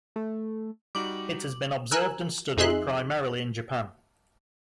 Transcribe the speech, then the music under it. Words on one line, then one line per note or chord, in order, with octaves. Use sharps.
It has been observed and studied primarily in Japan.
A3
G3 D#4 F#4 D6 F#7
A#4 G#5 E6 F#6
F2 D#4 G#4 E5 C6 F#6